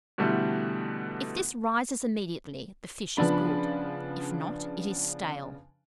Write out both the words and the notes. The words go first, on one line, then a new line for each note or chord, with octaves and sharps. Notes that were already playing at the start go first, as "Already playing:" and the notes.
If this rises immediately, the fish is good; if not, it is stale.
B2 D3 E3 G3 A3
C#3 F3 B3 D4 B5